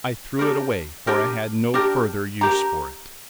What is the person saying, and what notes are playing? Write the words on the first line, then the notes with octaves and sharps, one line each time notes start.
"I threw it away, for I had no further use for it."
D4 G4 A#4
D4 G4 A#4
D4 G4 A#4
D4 G4 A#4 A#5